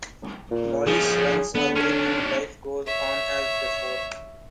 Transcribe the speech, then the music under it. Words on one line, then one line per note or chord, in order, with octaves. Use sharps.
Maurice runs away and life goes on as before.
A#2
F3 C#4 G#4
D3 B3
C#4 D4
C#5 E5